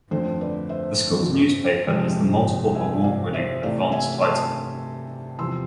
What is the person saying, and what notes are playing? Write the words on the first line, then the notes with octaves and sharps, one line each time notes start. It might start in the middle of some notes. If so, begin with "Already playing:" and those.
The school's newspaper is the multiple award winning "Advance-Titan".
F2 D3 A3 C5
B4 D5
C5 E5
F2 C3 F3 G#3
E5 G#5
G#5
D5 F5
C5 E5
C3 E3 A3 D5 F5
E5 G#5
A5 C6
E2 C3 F3 C6 E6